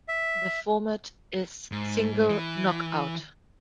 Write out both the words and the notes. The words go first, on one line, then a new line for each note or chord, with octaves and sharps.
The format is single knockout.
E5
G#2
E3